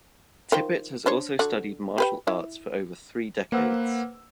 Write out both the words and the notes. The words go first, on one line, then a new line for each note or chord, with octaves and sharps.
Tippett has also studied martial arts for over three decades.
D#3 F3 G5
D4 C5 C#5
D3 F#4
G4 B4 G5
E4
A#3 B4 C5 F#5 E6